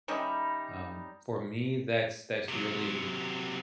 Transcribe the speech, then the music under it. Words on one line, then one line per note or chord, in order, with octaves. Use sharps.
um, for me, that's that's really
D#3 G3 C#4 D#4 E4
C3 F#3